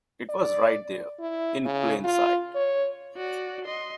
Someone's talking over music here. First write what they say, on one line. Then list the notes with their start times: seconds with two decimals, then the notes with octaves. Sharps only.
It was right there, in plain sight!
0.30 D5
1.20 E4
1.65 C#3
2.05 F4
2.55 C#5
3.16 F#4 D5
3.65 D#5 C6